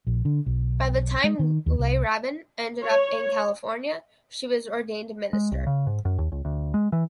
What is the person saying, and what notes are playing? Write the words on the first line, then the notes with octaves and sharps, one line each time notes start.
By the time Le Ravin ended up in California she was an ordained minister.
A#1
D3
B1
G#3
D#3
D#2
C2
C#5
G#3
C2
C#3
G#2
F#2
D#2
C#2
D2
G#3
E3